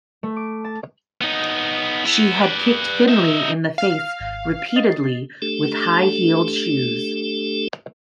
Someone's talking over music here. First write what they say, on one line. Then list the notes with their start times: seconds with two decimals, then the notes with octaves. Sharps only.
She had kicked Finley in the face repeatedly with high heeled shoes.
0.23 A3
0.36 D6
0.64 A5
1.21 B3 D#4
2.06 B3 E4
2.42 B4 D5
3.08 D#4 E5
3.78 F5
4.20 G#1
4.76 D#5 A6 C7
5.42 A3 D4 G4 A4